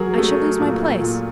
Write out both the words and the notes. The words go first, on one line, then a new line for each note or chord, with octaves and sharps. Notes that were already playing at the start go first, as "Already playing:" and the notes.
'I shall lose my place.
Already playing: F#3 G#4 A#4
A3
A#2
A#2